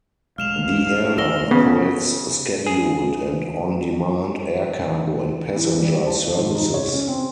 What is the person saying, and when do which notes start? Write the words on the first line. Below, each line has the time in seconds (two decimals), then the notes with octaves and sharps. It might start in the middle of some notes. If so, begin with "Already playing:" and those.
The airline operates scheduled and on-demand air cargo and passenger services.
0.38 E1 B1 G#3 F5 F6 E7 F7
1.18 D#2 E6 A#6 G7
1.51 C#3 B3
2.66 G#4
5.56 E3
5.82 G3
6.07 A5
6.37 G#2
6.55 D#4
6.74 C#5
6.94 C#4
7.08 C4